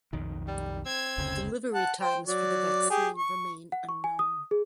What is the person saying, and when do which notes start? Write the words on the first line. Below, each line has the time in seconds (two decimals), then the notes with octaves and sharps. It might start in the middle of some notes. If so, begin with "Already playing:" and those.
Delivery times for the vaccine remain unknown.
0.13 B1 F2 D#3
0.48 G3
0.86 C4 E6 G#6
1.18 F#1 D2 C#3
1.74 F#5 A5
2.01 C5 G5
2.27 F#3 D5
2.90 G4 G#4
3.17 C#6
3.72 F#5
3.89 C#6
4.04 G#5
4.19 D#6
4.51 G#4